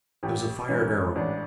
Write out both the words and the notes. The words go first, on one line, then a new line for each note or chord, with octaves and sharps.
It was a fire-arrow.
A1 G4
G#2 E3 C#4
A1 D4